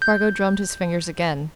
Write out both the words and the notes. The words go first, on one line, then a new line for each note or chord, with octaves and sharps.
Spargo drummed his fingers again.
G6